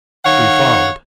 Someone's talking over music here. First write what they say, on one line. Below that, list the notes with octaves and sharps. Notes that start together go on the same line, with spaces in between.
We followed.
D#3 C#5 F5 F#5